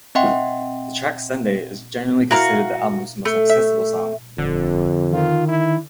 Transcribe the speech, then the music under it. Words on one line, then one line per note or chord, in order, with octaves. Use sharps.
The track "Sunday" is generally considered the album's most accessible song.
C4 D#5 E5 F#5 G5 C6
E4 F#4 A#4 F5
A3
E5
D#1 F2 D3
D#3 F4
E4